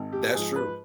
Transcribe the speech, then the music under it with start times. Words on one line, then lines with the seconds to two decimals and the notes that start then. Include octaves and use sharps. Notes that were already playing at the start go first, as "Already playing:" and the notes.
That's true.
Already playing: G#1
0.12 G4
0.35 G#2 F3 G#4
0.56 B4